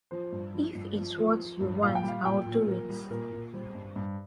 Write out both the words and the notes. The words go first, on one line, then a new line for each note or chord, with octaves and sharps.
If it’s what you want I’ll do it.
F3 C5
G2
F3
G2
F3
F3
F3
G2
A#2 F5
G5
G3 F5
A#2 G5
A#2
A#2 A#4
G3
A#2 A#4
A#2
G3 C5
G2
G2